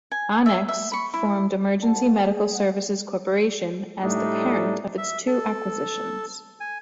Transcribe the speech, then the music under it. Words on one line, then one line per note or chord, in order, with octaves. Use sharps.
Onex formed Emergency Medical Services Corporation as the parent of its two acquisitions.
G#5
E5
E5
B5 C#6
E4
C2 F2 A3 A#4 F#5 A5
G#4
F#5
A2 G3 A3 D4 D#4
E5
A4
G#5